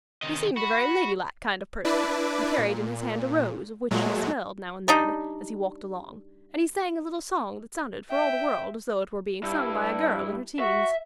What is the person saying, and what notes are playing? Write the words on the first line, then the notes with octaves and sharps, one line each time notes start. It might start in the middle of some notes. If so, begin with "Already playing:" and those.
He seemed a very ladylike kind of person and carried in his hand a rose of which he smelled now and then as he walked along, and he sang a little song that sounded for all the world as though it were being sung by a girl in her teens.
C3 D#3 D#5
F#4 B5
D4 E4 B4 D5
A#2
A#2 F#3 G#3 A3
G3 D4 D#4
E5 G5
G2 E4
F#4 E5